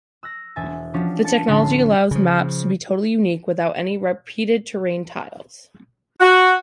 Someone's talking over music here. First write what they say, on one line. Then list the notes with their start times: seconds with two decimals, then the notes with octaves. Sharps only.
The technology allows maps to be totally unique, without any repeated terrain tiles.
0.23 E6 F#6 A#6
0.56 E1 E5 G#5 A6
0.94 F3 C#4 D4 F#4 G4
1.24 A5 A6 C#7
1.48 A1 A2 D3 C#4 A5 C7
2.11 C#3 F3
6.21 F#4